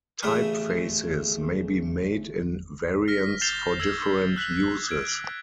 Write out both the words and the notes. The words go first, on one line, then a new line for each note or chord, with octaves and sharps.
Typefaces may be made in variants for different uses.
A1 C#3 A3 E5 D#6
F6 A#6 B6
G6 A6 C7 E7 F7 G7
E6 G#6 C7 F7
E6 F#6 B6
G#6 D7